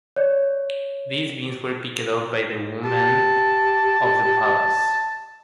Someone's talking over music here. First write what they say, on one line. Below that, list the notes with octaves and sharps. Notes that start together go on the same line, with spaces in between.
These beans were picked up by the women of the palace.
C#5 D5
G4 A5